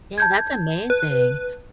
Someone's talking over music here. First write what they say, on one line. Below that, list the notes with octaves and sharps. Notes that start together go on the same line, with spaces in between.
Yeah, that's amazing.
A5 G6 G#6
B4